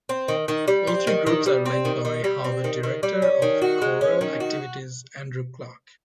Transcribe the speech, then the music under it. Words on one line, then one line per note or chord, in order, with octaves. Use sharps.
All three groups are led by Harvard Director of Choral Activities Andrew Clark.
C4
D#3
D#3
G3
C4
D#3
D#3
G3
C4
D#3
D#3
G3
C4
D#3
D#3
G3
C#4
D#3
F#4
G#3
C#4
D#3
F#4